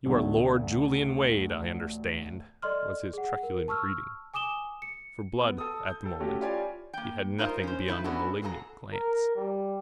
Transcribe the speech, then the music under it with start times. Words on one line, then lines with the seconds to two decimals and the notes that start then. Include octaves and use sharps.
"You are Lord Julian Wade, I understand," was his truculent greeting. For Blood at the moment he had nothing beyond a malignant glance.
0.06 A1 D2 B2 D3 A3
2.62 A4 D5 D#5 C6 F6
3.13 G#4 F#5
3.43 A#4
3.68 A5 C#6 E6 F6
4.34 G#5 D6 D#6 E7 G7
4.82 C#7
5.41 B3
5.58 A4 D#6
5.87 G6
6.05 A4
6.20 A3 C#4 F#4 G4
6.41 E4 F4 G4 C#5 D5 G#5
6.93 A#3 G5
7.38 D#4 F4 A#4 C5 D#5
7.63 C#4 C5
7.88 C4 E4 A4 B4
8.04 B3 C#4 D4 E4 F#4 A4
8.42 F#4 G#4 A4 D#5 A#5
8.93 A#4
9.36 G3